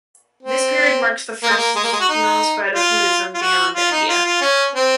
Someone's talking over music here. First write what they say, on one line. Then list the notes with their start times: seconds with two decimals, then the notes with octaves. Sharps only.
This period marks the first known spread of Buddhism beyond India.
0.43 C4
1.43 A#3
1.50 G#3
1.57 A#3
1.76 G#3
1.84 A#3
1.93 G#3
2.01 F#4
2.09 D#4
2.75 F4
3.34 F4
3.42 F#4
3.75 F4
3.92 D#4
4.09 F4
4.25 F4
4.42 C#4
4.75 C4